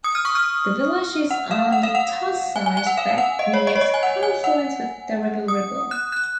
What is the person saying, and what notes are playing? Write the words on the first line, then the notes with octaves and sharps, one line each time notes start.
The village is on the Tosside Beck, near its confluence with the River Ribble.
D#6
F6
C#6
F6
F#5
F5
F#5
F5
F#5
G#5
G#5
G#5
F#5
F5
F#5
D#5
C#5
D#5
C#5
D#5
G#5
F#5
G#5
F#5
D#6
F#6
F#6